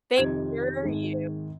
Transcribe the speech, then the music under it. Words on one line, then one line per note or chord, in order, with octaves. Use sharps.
They hear you.
F2 C3 D#3 C4 D#4 G#6
G#1 G#2 D#3 G#3